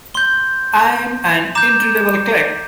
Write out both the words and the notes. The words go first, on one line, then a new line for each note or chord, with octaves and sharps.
I'm an entry-level clerk.
C6 G6 G7
A#5 D6 G6 E7